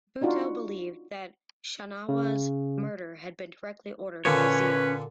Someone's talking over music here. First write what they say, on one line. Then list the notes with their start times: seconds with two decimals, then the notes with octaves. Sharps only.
Bhutto believed that Shahnawaz's murder had been directly ordered by Zia.
0.21 D4 D#4 F4 F#4
2.09 C#3
4.25 A#2 D3 C#4 B4 C#5